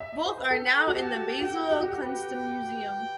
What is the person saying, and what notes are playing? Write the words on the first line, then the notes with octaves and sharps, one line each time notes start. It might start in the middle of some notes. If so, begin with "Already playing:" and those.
Both are now in the Basel Kunstmuseum.
E5
D#5
C5
B4
A4 G5
F#4
G4 A5
F#4 G5
G4
F#4
G4 G5
B4